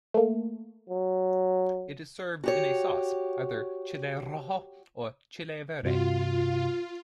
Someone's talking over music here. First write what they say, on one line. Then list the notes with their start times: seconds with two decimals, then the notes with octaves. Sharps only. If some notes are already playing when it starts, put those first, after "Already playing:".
It is served in a sauce, either "chile rojo" or "chile verde".
0.14 A3 A#3
0.89 F#3
2.44 F#4 G4 C#5
5.83 G2 C3 F4 F#4